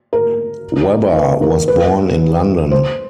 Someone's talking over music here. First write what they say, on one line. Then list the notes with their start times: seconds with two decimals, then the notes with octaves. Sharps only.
Webber was born in London.
0.13 A#4
1.16 B4
1.42 A#4
1.68 B4
2.71 C5